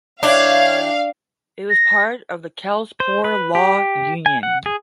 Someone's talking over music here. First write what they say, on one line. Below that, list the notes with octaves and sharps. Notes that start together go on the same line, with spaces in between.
It was part of the Kells Poor Law Union.
E3 D4 G4 C#5 F5
A#6
C5
B4
G4
G#5
F#5
G#4